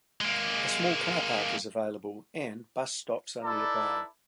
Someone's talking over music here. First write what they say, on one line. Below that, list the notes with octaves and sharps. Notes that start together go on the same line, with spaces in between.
A small car park is available, and bus stops are nearby.
G#3 A#3
D#4 E4 A4 B4 D5